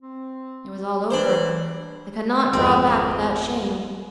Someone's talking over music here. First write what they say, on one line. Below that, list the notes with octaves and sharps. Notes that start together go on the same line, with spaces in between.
It was all over; I could not draw back without shame.
C4
E3 D4 C5
G#1 F2 C4